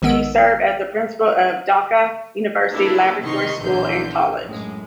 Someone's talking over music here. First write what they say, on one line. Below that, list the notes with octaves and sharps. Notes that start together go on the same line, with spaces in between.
She served as the Principal of Dhaka University Laboratory School and College.
A#1 D#3 G#3 B3 E6 D7
A3 A#3 D4 E4 G4 A4
C3 D#3 D#4 C6 C#6
A#1 E2 D3 E3 C6 G6
F#2 A2 G#3